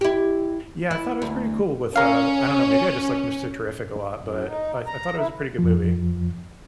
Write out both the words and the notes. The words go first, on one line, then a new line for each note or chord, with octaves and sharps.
Yeah, I thought it was pretty cool with, uh I don't know, maybe I just like Mr. Terrific a lot, but I I thought it was a pretty good movie.
E4 G4
E4
D2
C#4 A#4 F5
F#2
D#4
A#5
E4
F2 F3